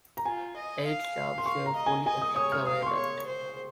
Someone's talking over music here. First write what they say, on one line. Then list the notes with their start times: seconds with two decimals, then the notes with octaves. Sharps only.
Eight shafts were fully excavated.
0.17 A#5
0.25 F4 G#5
0.56 D#5
0.86 F5
1.38 C6
1.46 F5 C#6
1.66 A#5
1.76 D#5
1.86 G#5
2.06 D#5 G#5
2.21 D#6
2.36 C#5 D#6
2.52 F6
2.67 F5 D#6
2.82 C6
2.86 C#6
2.96 C#5
3.27 C5